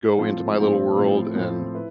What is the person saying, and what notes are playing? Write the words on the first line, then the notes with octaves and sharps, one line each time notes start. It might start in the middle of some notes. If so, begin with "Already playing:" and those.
go into my little world and
A2 F3 C4 F4
A2 F3 C4 F4
A2 F3 C4 F4
A2 F3 C4 F4
E4 B4